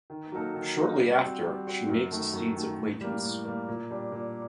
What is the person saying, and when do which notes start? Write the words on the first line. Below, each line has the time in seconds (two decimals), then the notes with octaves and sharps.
Shortly after, she makes Steed's acquaintance.
0.10 D#3
0.32 F#3 A#3 D#4 A4
0.55 D#3
0.77 F#3 A#3 D#4 A4
1.00 G3
1.21 C4 F#4
1.44 G3
1.67 C4 F#4
1.89 F#2
2.11 D#3 A3
2.33 F#2
2.56 D#3 A3
2.78 A2
3.01 G3 A#3
3.24 A2
3.45 G3 A#3
3.68 A#2
3.91 G3 D4
4.12 A#2